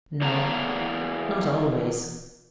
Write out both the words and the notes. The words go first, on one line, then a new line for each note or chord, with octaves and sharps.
"No, not always."
E2 A#3 B3 A5 A#5